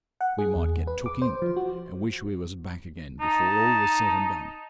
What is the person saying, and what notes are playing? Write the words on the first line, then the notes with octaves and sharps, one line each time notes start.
We might get took in, and wish we was back again before all was said and done.
F#5
G#4
E2
B4
D6
C5
F3
F#4
D#4 A5